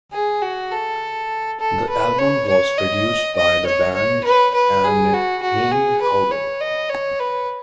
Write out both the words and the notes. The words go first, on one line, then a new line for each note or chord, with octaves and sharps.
The album was produced by the band and Hein Hoven.
G#4
F#4
A4
A4
B4
C#5
C#5
D#5
D#5
C#5
C#5
B4
B4
G#4
F#4
F#4
G#4
B4
C#5
D#5
C#5
B4